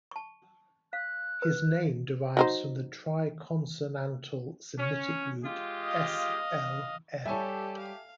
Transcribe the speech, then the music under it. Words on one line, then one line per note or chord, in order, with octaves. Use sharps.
His name derives from the triconsonantal Semitic root S-L-M.
A5 C#6
F5 F#6
B4
F#3 D#4 C5
C#4
G#3 F4 G4
D#5 F5
G3 G4 A4 C#5 E5 G#5 A5
F5